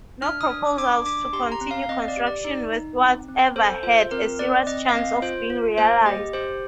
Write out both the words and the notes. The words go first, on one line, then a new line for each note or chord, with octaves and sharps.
No proposals to continue construction westwards ever had a serious chance of being realised.
D4 F6
D#6
D4
D4 D6
D4 D6
G4 C6
A#5
C4
F5
F5
C4 D#5
D5
G4
D5
D#4
D#4
C4
C4
A4 C5
F4 C5
C4 A#4
C4 D5
C4 D#5
F5
C4 D#5
F4 C5
F4
A#3 C5
G4 D#5
G4 C5